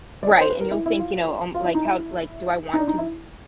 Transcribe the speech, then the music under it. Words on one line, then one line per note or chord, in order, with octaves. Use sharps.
Right, and you'll think, you know, um, like, "How? Like, do I want to
D5
C#5
C5
B4
A#4
E4
E4
F4
F4
E4
D#4
E4
D#4
D4
D#4
E4